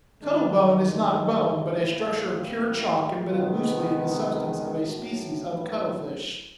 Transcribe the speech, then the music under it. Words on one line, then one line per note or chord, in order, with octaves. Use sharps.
Cuttle-bone is not bone, but a structure of pure chalk imbedded loosely in the substance of a species of cuttlefish.
G2 D#3 G#3 D4
D#4
A2 E3 G3 A#3 E4
C#2 C3 D#3 G#3 B3 F4
B4
B4
B1 A2 F#3
B4